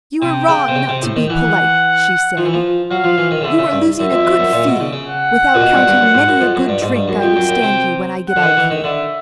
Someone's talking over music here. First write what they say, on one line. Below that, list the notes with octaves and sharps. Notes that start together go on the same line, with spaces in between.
"You are wrong not to be polite," she said; "you are losing a good fee, without counting many a good drink I would stand you when I get out of here."
C3 G5
C#3
C3
C#3
C3
A2
D#3
E3 F#5
F3
E3
F3
F#3 F5
F3
E3
D#3
C#3
D3 E5
C#3
G2
F#2 E5
F2
F2
F#2
A#2
B2
C#3
C#3
F#5
A#2
B2
G2
G2
F#2
G#2
F#2
F2
F#2
G2
G#2
G2
F#2
F2 G5
F#2
F#2
C3
F#5
D3
D#3
E3
D#3
D3 E5